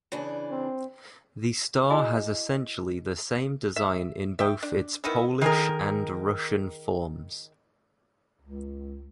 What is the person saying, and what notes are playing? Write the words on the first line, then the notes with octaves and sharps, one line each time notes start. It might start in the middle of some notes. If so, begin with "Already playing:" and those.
The star has essentially the same design in both its Polish and Russian forms.
C#3 E3 D4
C4
E4 F#4 G#4 D#5 G#5
E5
E5 G5
D4
D#3 B3 D#4 E4
D#3 G#4 A#4
C#2